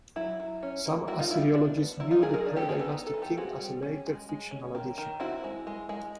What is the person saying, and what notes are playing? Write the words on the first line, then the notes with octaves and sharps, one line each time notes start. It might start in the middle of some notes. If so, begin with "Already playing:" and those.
Some Assyriologists view the predynastic kings as a later fictional addition.
F#3 E4
F#3
C#4
A#3
G3 E4 F#4
D#4 F4
G3 E4
D4
B3
F#3 E4
D#4 F4
F#3 G#4 A#4
G#4 A#4
D4
G4 A4
B3 G#4 A#4
A4 B4
D#4
A4 B4
E3
G4 A4
C4 F#4 G#4
G3
C#4
G#3
G#3
C#4
D#3
D#3
C4 E4 F#4
G#3
G#3
G#3